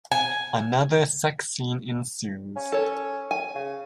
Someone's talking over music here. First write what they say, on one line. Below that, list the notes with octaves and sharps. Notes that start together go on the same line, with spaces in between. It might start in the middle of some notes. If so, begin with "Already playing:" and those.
Another sex scene ensues.
G#5
C#4
A4 C#5
G#5
C#3